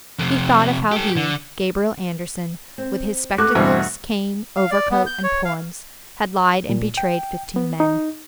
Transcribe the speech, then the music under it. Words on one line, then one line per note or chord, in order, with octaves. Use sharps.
He thought of how he, Gabriel Andersen, with his spectacles, cane, overcoat and poems, had lied and betrayed fifteen men.
F2 C3
G4 A4
D3
C4
A3 F#4 A4 B4 D6 F#6
E2 G2 B2 F4 C5
F5
D5
B3
G6
C#5
F5
A#2
G5
B3
D#4